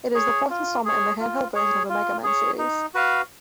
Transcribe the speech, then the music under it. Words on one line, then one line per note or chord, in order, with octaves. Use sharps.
It is the fourth installment in the handheld version of the "Mega Man" series.
G#4 C#5
F4
G#4 C#5
F4
G#4 C#5
F4
G#4 C#5
D#4
F#4 B4 F5